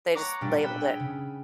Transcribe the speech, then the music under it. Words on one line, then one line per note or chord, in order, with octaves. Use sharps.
They just labeled it.
C#5 F#5 A#5 C#6 D6
A#2 G3 D4 G4
F#5 G5 B5 D#6 E6
G#4 G5
C#3